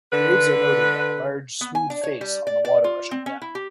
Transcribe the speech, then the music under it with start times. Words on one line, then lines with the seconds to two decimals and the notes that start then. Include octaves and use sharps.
Waves are noted by the large smooth face on the water rushing down.
0.13 D3 B4
1.61 B3
1.75 G#5
1.90 D4
2.04 C#5
2.21 G3
2.47 D5
2.65 D5
2.84 F4
3.11 C4
3.26 C#4
3.42 E4
3.55 G4